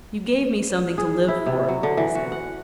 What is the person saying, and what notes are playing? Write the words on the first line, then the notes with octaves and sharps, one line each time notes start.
"You gave me something to live for," he said.
G#4
E4
C3
F#3
D3
E3
F#4
F#5